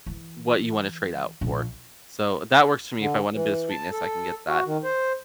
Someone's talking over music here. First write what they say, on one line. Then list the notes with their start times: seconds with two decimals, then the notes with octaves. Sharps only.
what you wanna trade out for. So that works for me, if I want a bit of sweetness, I can get that,
0.06 E3
1.41 A#1
2.99 D3
3.34 E3
3.70 A5
3.92 A4
4.48 F#4
4.66 D#3
4.84 C5